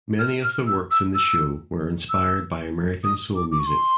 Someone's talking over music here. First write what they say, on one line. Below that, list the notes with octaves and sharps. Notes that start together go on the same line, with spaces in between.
Many of the works in the show were inspired by American soul music.
F6
F6
E6
E6
E6
E6
D#6
D6
D6
C#6
C6